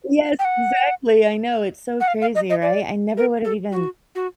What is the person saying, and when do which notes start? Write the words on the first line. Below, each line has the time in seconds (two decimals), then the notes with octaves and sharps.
Yes, exactly, I know, it's so crazy, right? I never would've even
0.39 G5
0.45 F#5
2.00 F#5
2.08 F5
2.21 F5
2.35 D#5
2.50 D#5
2.62 D5
3.17 A#4
3.45 A4
3.72 F#4
4.15 F#4